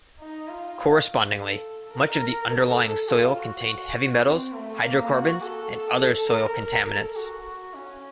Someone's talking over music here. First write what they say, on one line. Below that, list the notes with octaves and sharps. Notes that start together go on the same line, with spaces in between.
Correspondingly much of the underlying soil contained heavy metals, hydrocarbons and other soil contaminants.
D#4
F4
A4
A#4
A4
F4
F#4
F#4
C4
A3
A#3
F#4
A4
A4
A#4
A4
F#4
C#4